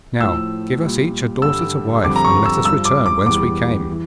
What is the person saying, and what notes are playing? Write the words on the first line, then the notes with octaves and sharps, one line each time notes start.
Now give us each a daughter to wife, and let us return whence we came.'
A2 F3 E6
A#2 G3
G2 D3 G3 E6
F2 D3 G3 D6
A#5
C#6
E6
G2 F3 E6
D6
D6
E2 E3 G3 D6
E3